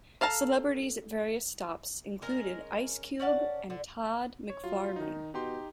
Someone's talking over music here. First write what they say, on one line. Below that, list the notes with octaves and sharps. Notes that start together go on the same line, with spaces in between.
Celebrities at various stops included Ice Cube and Todd McFarlane.
A4 F5 A5 A#5
G#3 C#4 A#4
C#4 D5 F#5 A5
D3
C#5
F#3 F4
D#3 D#4
B2 D#4 G4 C6